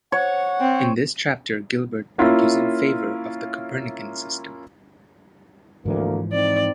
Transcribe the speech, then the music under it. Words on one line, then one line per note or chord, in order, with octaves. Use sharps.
In this chapter Gilbert argues in favor of the Copernican System.
C#5 F#5
C4
A#3 C#4 E4 F4
D2 G#2 E3 F3 A#3
C4 D#4 D5